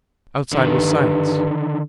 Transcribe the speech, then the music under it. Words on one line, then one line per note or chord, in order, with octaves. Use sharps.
Outside was silence.
G2 D3 D#3